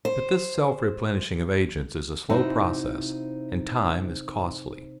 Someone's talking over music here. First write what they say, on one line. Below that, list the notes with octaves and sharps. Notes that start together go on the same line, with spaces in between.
But this self-replenishing of agents is a slow process, and time is costly.
C5
C3 D#4 E4 F#4 C5